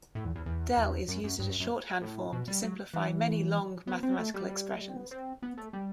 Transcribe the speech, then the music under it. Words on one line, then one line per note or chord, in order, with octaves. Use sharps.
Del is used as a shorthand form to simplify many long mathematical expressions.
A2
E2
E2
E2
E2
F#2
F#2
G2
F#2
F#2
A2
B2
G3
F#3
E3
B3
C4
A3
G3
G3
A3
G3
C4
B3
C4
B3
A3
G3